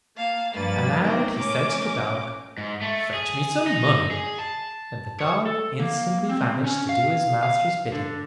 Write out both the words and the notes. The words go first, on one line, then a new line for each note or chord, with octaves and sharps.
Aloud he said to the dog, "Fetch me some money," and the dog instantly vanished to do his master's bidding.
A#3 F5 A5
G2 F3 G3 A#3 B4 A6
D#3 F#3 G#3 A#3 C4 D4
A3 C#4 A#4 D6
G#2
A3
G#4
D#4
G#4
A5
C#5
A4
A#3
C4
C#4
F5
F5
D3